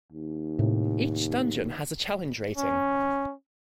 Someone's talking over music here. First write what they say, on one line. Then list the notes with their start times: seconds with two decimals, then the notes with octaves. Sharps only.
Each dungeon has a "challenge rating".
0.12 D#2
0.59 A2 C3
2.57 C#4